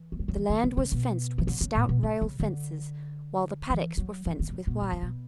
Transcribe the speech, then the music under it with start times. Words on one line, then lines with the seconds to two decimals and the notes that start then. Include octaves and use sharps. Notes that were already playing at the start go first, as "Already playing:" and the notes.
The land was fenced with stout rail fences while the paddocks were fenced with wire.
Already playing: E3
0.12 A3
0.19 G3
0.28 F#3
0.36 E3
0.50 D3
0.64 C#3
0.77 C#3
0.92 B2
1.38 E3
1.47 D3
1.61 C#3
1.75 A2
1.89 B2
2.03 C#3
2.22 C#3
2.40 D3
3.70 E3
3.97 F#3
4.26 E3
4.40 D3
4.49 B2
4.53 C#3
4.67 B2
4.82 B2
4.92 C#3
5.02 B2